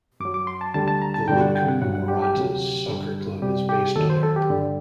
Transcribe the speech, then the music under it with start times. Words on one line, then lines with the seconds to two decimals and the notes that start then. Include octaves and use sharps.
The Lidcombe Waratahs soccer club is based there.
0.20 F#2 F#3 D6
0.34 D6
0.47 C6
0.61 A5
0.74 D2 D3 G3 A5
0.88 A5
1.02 A#5
1.14 A5
1.28 G2 D3 G3 G5
1.41 F#5
1.55 G5
1.68 F#5
1.82 G2 F#3 F#5
1.95 F#5
2.08 G4
2.22 G4
2.35 D2 C3 F#3
2.88 G2 D3 G3
3.42 C2 C3 G3 G4
3.69 G4
3.96 D#2 D#3 F#3 A4
4.10 C5
4.23 A4
4.36 G4
4.50 G2 D3 G3